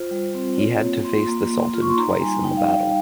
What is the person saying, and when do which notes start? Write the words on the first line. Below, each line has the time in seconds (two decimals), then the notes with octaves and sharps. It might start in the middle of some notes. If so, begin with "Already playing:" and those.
He had to face the Sultan twice in the battle.
Already playing: F4 C5
0.11 G3
0.35 C4
0.58 F4 C#5
0.81 A#3
1.05 F4 C6
1.28 A#3
1.51 A#3
1.74 F4
1.82 C#6
1.89 C6
1.97 D#4 A#5
2.21 G3 G#5
2.44 D#4 G5
2.57 F5
2.68 D#4 G5